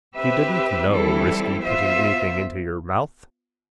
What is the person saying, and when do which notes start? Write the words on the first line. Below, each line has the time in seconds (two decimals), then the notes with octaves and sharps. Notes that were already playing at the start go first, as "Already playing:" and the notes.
If you didn't know risky putting anything into your mouth.
0.15 C4 G4 B4 E5
0.88 E3 G3 C4 E4 A4
1.61 B3 F4 C5 E5